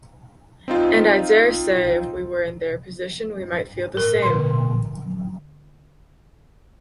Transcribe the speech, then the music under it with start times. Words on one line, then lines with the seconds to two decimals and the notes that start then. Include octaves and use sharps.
And I daresay if we were in their position we might feel the same!
0.68 C4 D#4 F4
3.97 A#4
4.22 D3 C6